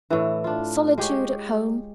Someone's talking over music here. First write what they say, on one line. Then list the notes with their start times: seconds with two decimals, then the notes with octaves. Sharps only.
Solitude at home!
0.10 A2 E3
0.44 D4 F4
0.98 G#3 G4 G#4 C#5